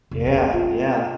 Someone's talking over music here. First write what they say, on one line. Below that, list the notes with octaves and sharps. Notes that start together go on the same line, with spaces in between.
Yeah, yeah,
F1
E2
F4